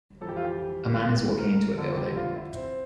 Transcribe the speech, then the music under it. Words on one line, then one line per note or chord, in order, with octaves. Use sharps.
A man is walking into a building.
F2 E3 G4 A4
F4
G4
A#4
F2 D3 A4
G4
F4
E4
C4